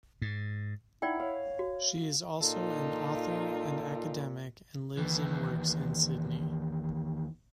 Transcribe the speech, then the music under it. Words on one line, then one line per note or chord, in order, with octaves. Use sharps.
She is also an author and academic and lives and works in Sydney.
G#2
D#4 E4 D5 F#5 G5
C#5 F5
F#4
A#2 D#4 F4 A4
D#2 E3